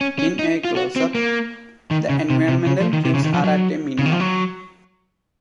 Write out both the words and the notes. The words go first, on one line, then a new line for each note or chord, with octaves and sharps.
In a close up, the environmental cues are at a minimum.
C#4
C#4
D#4
F4
F#4
C4
A#3
D#3
C#3
C3
C3
C#3
F3
D#3
C3
C#3
D#3
F3
F#3
C#3
D#3
F3
F#3